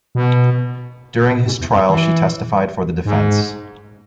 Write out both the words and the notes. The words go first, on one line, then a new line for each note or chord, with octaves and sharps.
During his trial, she testified for the defense.
B2
B2
G#2
E2
F#2
E3
G#2